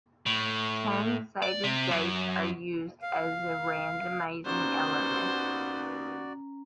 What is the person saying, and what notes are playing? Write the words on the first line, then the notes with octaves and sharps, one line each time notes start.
Ten sided dice are used as a randomizing element.
A2
D5
C3
F#2
F5
D#2 B3 C#4 F#4 C5 D5 A#5